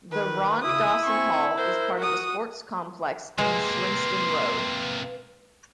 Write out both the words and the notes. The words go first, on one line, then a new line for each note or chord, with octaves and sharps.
The Ron Dawson Hall is part of the sports complex in Swinstead Road.
D#3 B4
C#3 E4 D#6
C4 G#5 C#6
A#4 C5
F#4 D#6
C3 G#3 A#3 B4 C6